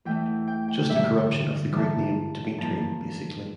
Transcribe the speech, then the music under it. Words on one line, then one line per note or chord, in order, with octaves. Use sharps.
Just a corruption of the Greek name "Dimitri," basically.
E2 E3 A3 G5
G5
G5
G2 D3 G3 A#3 E5
G2 E3 G3 A#3 A5
G2 F3 A#3 A5